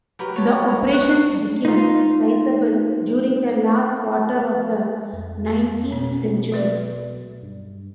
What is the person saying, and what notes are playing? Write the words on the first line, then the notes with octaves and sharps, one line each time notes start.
The operations became sizeable during the last quarter of the nineteenth century.
F#3 G4 A#4 B4
C#5 A5
D#5 C#6 D#6 F#6
D#4 F4
F2
B2 C4
F#3 B4 D5
G2